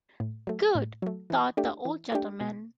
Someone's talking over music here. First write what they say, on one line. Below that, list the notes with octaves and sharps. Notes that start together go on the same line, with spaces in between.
"Good," thought the old gentleman.
A2
F#3 A3
A2
F#3 A3
E3
A3 D4 G4
E3
A3 D4 G4
B2